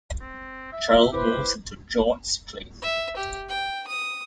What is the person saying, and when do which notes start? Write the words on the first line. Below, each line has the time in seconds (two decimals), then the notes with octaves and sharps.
Cheryl moves into George's place.
0.21 C4
0.72 E5
1.13 E4 G4 B4 C5
2.82 E5
3.17 G4
3.49 G5
3.88 D#6